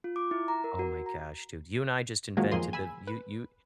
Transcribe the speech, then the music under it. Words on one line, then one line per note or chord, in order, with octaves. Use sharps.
Oh my gosh, dude. You and I just invented the you you
F4
D6
E4
A#5
A#4
F#4
A#5
D#3 F3 F#3 G#3 A#3
F2 A#3 G#4 C6 D#7
G#5 B5 E6
B4